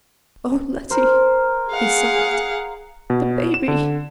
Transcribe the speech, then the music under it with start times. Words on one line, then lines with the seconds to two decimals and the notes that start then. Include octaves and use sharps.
"O Letty!" he sobbed--"the baby!"
0.90 A#4 C5
1.71 G#4 F5 F#5
3.10 B2
3.54 E7
3.68 D3